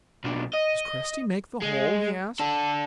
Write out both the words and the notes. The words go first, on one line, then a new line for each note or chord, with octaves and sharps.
"Does Cresty make the hole?" he asked.
B1 D4
D#5
G#3
D4 A4